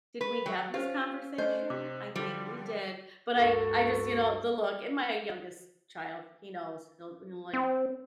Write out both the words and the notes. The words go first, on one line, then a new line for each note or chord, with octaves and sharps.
"Did we have this conversation? I think we did," but I I just you know, the look and my youngest child, he knows, he'll he'll, like
B4
F#3 G5
C#4 F4 G4 C5 F5
A3 C#4 D4 C5 C#5 D#5
C3 G4 D6
D3 F3 G3
C#2 G2 F#4 A4
C4